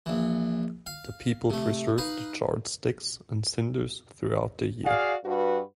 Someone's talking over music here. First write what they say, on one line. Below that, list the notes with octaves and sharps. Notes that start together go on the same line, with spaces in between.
The people preserve the charred sticks and cinders throughout the year.
A#1 E3
F5
C3 A3
D#4 B4 F5
F#4 G#4 D5 F5
G2 F#4 B4